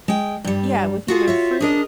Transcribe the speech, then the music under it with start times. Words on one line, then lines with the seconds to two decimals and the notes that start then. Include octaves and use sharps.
Yeah, with either fruit,
0.08 G#3 G5
0.44 G2 G3
1.08 F4 F#4 G#4 A4
1.28 F#4 C#5 E5
1.60 D4 G#4 A#4 D#5